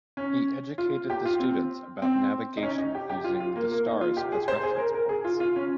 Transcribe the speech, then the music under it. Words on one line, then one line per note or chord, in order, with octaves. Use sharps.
He educated the students about navigation using the stars as reference points.
C#4
F4
G4
F4
C4
C4
D#4
C#4
D#4
G4
G4
F4
F4
A#3
A#3
D#4
F4
G4
G#4
C5
G#4
A#4
A#4
G#4
F4
F4
C#4